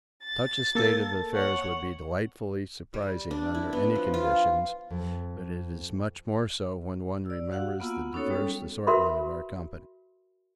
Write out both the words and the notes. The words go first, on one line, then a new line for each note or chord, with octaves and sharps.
Such a state of affairs would be delightfully surprising under any conditions, but it is much more so when one remembers the diverse assortment of our company.
A6
A#3 A4
C#5 F#5
G3
D4
E4
B3
F3
F4
F2
D5 E6
F#4 F5 F#5
A#3 B3 F4 F#5 E6
B3 C#4 D#4 F#4 A4 C#5
G3 C#4 A4
F#4 A#4 B4 E5 B5 C6